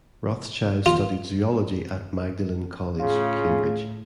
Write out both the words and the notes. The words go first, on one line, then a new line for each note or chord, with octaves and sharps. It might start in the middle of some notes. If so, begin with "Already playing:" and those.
Rothschild studied zoology at Magdalene College, Cambridge.
F4
A2 C#3 F4 G#4